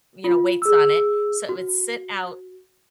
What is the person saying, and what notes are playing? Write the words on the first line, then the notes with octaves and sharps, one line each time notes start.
you know, weights on it so it would sit out,
F4
G#4 E6
F#4